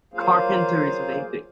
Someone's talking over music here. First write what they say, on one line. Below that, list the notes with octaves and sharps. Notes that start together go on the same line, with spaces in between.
Carpenter is an atheist.
F#3 A#3 F4 G#4 C5 F5